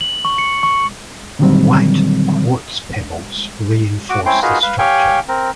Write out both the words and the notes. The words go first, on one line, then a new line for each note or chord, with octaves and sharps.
White quartz pebbles reinforce the structure.
F#7
C#6
C#7
C#6
A#2 D3 D#3 F#3 G3 C4
F#4 D6
C4 C#4 E4 G5 C6
D#4 F4 F#4 G#4 A#4 B4
B4 F5
G4 C#5 F5 G5 G#5
C4 A#4